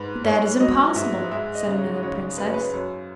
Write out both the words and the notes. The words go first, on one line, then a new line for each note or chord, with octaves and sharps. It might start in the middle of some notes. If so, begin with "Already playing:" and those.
"But that is impossible," said another Princess.
Already playing: G#2 B4
G#2 C#5
F#3 D#5
G#2 E5
G#3 E5
D#5
C#3
C#5
C#3 C#5
F#2 B4
C#5
B4
B4
F#2 C#5